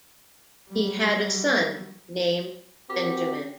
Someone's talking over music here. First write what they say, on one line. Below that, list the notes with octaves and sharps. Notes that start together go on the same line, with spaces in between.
He had a son named Benjamin.
F#3 G3
C4 F#4 G4 A#4